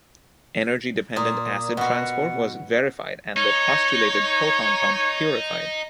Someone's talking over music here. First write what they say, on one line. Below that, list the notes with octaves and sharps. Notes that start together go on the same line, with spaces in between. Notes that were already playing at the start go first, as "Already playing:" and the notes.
Energy-dependent acid transport was verified and the postulated proton pump purified.
A#2 D#6
B2 F#4 F#5
D#4 C#5